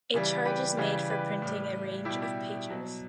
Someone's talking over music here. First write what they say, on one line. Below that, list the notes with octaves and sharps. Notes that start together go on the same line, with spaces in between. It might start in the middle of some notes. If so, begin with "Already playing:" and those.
A charge is made for printing a range of pages.
C#3 E3 G3
G4 B4
C#3 E3 G3
G4 B4
A2 G3
B2 G3 E4 G4
E4 G4
B2 F#3